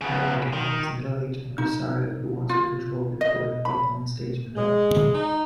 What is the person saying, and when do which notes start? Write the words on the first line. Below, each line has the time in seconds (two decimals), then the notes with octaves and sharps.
Lermontov is a middle-aged impresario who wants to control Victoria, both on-stage and off.
0.01 C#3 B3
0.53 D#3
1.58 D#4
2.49 F4
3.21 D#5
3.65 B5
4.56 G#3
5.13 D#4